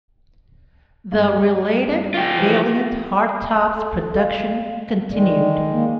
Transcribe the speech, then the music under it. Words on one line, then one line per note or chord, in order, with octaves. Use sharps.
The related Valiant hardtop's production continued.
G2
F4 G4
E3 F3 G#3
A4
F5
D#3 G#3 D5
A#3